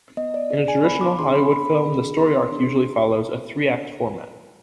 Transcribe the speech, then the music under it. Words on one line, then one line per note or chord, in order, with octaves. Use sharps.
In a traditional Hollywood film, the story arc usually follows a three-act format.
B3 D#5
D5
D4 G#4 D5
G#5
B3 B5
D6
D4 G#4 C6
B5
B3 B5
D4 G#4
B3 C6
D4 G#4